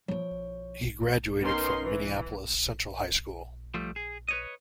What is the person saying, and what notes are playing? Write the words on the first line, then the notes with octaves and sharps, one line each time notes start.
He graduated from Minneapolis Central High School.
F3 E4 C#5
B3 C#4 D#4 A#4 C6
E3
F3 G3 A3
G#4
B4 C#5 D#5